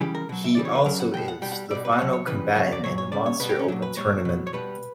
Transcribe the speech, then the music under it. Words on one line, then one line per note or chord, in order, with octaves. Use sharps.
He also is the final combatant in the Monster open Tournament.
C#3 E3 G3 G4
A#4
B2 F#3
E5
C#3 E3 G3 D5
C#5
B4
C#3 F#3 A#4
F#5
B2 F#3 G5
F#5
B2 G3 G5
F#5
B2 G3 D5
B4
D5
B2 F#3 C#5
C#5
C#3 E3 G3 B4
C#3 F#3
D5
A#2 F#3 C#5
C#5
C#3 G3 D5
C#5
B2 G3 B4
G4
C#4
A#2 F#3 D4
B4
A#2 G3 C#5
B2 F#3
C#5
B2 G3 B4